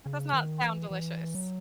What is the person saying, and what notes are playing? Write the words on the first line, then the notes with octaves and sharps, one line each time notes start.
That does not sound delicious.
C#3
D#3
E3
E3
F#3